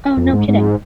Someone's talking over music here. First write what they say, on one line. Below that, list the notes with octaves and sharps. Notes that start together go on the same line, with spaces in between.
Oh, no kidding.
F2
G#2
G#2